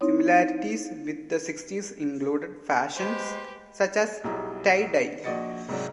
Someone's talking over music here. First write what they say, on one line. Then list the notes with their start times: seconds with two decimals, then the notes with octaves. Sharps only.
Similarities with the Sixties included fashions such as Tie-dye.
0.01 C4 D#4 E4 C#5
2.96 G#3 G4 B4 C5
4.24 B1 F#3 G3 E4 G#4 A#5
5.24 A#1 F#4 D5 D#5 A6 C#7
5.68 C2 G#2 C3 F#3 D5